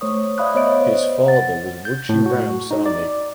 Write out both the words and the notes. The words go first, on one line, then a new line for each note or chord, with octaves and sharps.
His father was Ruchi Ram Sahni.
A3 C5 C#5 C#6 D#6
D5 E5 F5 B5 D#6 F#6
B3 C5 C#5 D#5 D7
C5
F#5 A6
G6
A2
F#4
D#4
D5